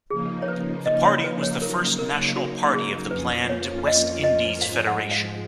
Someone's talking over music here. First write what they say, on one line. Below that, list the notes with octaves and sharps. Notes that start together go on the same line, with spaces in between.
The party was the first national party of the planned West Indies Federation.
C#3 F3 A#3 D#4 G#4
C#5
B4
D#5
C#5
B4
C#5
C#3 F#3 A#3 D#4 A#4
A#4
F#4
G#4
F2 F3 A#3 C#4 F4 B4
C#5
D#5
D#5
G#2 F3 G#3 F5
F#5
F5